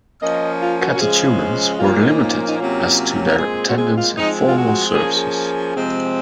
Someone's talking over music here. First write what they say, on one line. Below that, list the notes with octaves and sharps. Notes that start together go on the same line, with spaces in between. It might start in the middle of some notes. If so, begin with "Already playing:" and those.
Catechumens were limited as to their attendance in formal services.
F3 A#3 C#4 D#5
F4
F#4
F#4
C#3 F3 G#3 C#4 G#4
A#2 F3 A#3 C#4 F4
D#4
D#4
C3 F#3 A#3 C#4 F4
A#4
A#2 G#3 C4 G#4
F#4
G#4
F4
F3 G#3 C4 D#4
F4
F#4
F3 A#3 C#4 G#4
G#4
C3 F3 G#3 C4